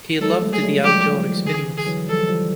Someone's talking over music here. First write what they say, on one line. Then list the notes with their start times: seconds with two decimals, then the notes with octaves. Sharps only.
He loved the outdoor experience.
0.21 F#3 G#3 A4
0.42 G3 A3
0.53 G#4
0.62 F#3 G#3
0.83 F3 G3 G4
1.14 D#3 F3
1.46 D3 E3 G#4
1.77 G#4
1.87 E3 F#3
2.08 F3 G3 A4
2.29 F3 G3